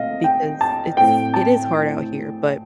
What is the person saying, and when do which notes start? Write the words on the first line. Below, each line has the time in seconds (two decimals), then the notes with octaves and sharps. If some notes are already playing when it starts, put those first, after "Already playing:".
because it's it is hard out here, but
Already playing: A#2 A3 C4 D#5 F5
0.24 G5
0.61 A5
0.97 A2 A3 C4 G5
1.34 A5